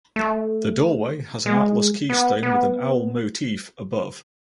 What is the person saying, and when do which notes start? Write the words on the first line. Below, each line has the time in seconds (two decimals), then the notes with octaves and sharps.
The doorway has an Atlas keystone with an owl motif above.
0.16 A3
1.46 G#3
2.09 B3
2.43 B3